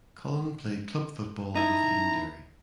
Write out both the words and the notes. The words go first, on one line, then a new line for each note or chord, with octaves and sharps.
Cullen played club football with Edenderry.
D#4 E4 A#5